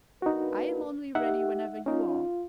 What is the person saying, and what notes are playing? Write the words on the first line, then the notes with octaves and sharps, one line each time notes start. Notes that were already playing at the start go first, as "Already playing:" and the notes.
I am only ready whenever you are.
A#3 D4 D#4 F#4 B4
D#4 G4 E5 F#5
C#4 D#4 F4